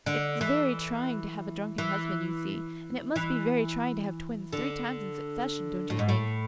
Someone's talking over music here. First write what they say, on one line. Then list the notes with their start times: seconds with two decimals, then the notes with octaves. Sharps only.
It's very trying to have a drunken husband, you see; and it must be very trying to have twins three times in succession, don't you think?
0.06 D3
0.41 E3
1.78 E3
3.16 E3
4.53 D3
5.90 A2
5.99 G#2
6.09 A2